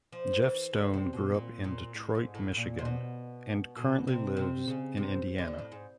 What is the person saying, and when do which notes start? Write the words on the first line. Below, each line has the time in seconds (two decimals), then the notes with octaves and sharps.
Jeff Stone grew up in Detroit, Michigan, and currently lives in Indiana.
0.12 F3
0.42 E3
0.73 D3
0.94 C3
1.13 B2
1.34 A#2
1.64 A#2
1.94 A2
2.15 G#2
2.35 A2
2.56 A#2
2.79 C3
2.85 B2
3.77 B2
4.07 C3
4.37 C3
4.68 C#3
4.97 C3
5.38 D3
5.59 A2
5.72 G#2